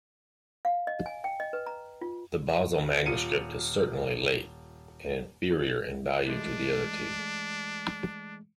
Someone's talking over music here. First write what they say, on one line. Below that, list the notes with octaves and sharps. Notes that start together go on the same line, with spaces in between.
The Basle manuscript is certainly late and inferior in value to the other two.
F5
D#5
G#5
G5
D#5
B4
A#5
F4
D#1 F4 C#7 D#7
E3 G#3 A3 D4